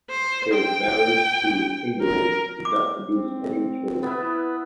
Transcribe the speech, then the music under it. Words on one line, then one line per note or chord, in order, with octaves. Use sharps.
His marriage to Ingerid did not produce any children.
C5
G5
A#4
D6
C4
B3 E4 B4